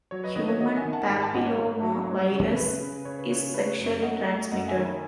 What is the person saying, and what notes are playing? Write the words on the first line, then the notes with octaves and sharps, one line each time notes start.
Human papillomavirus is sexually transmitted.
F#3 C#5
B4 D#5
D#3 B4 D#5
C#5 E5
D#3 D#5 F#5
E5 G#5
D#3
F#5 A5
G#2 G#5 B5
F#5 A5
G#2 D#5 F#5
C#5
G#2 C#5
F#3
F#3 C#5
C#3
C#3 B4
C#3
C#3 C#5
B4
C#3 C#5
A3 B4
C#5
F#2
C#5 E5
A3 D#5 F#5
A3
F#2 D#5 F#5
E5 G#5
D#3
G#5 B5